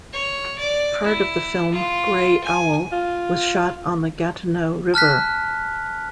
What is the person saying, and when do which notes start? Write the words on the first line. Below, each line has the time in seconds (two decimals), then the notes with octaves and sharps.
Part of the film "Grey Owl" was shot on the Gatineau River.
0.13 C#5
0.59 D5
1.05 E4
1.73 F4
2.44 G#5
2.92 F4
4.94 A5 F6 F#6 B6